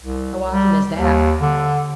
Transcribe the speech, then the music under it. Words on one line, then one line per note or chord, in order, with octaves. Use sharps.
"How often is that?"
C2
G3
D#2
D3